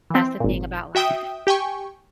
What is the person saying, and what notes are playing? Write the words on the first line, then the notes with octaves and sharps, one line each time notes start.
That's the thing about life.
E3 C4
G#1 A#2
F#4 E5 G5 D#6
G4 G5 G#5 C#6